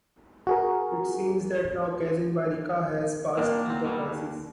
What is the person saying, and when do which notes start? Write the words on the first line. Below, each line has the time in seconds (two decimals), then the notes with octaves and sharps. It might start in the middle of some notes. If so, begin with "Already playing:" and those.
It seems that now Kazincbarcika has passed through the crisis.
0.47 F#4 G#4 A#4
3.37 A#2 A#3 C4 D4
3.66 F#3 C4
3.84 B2 F#3 G3
4.06 D#2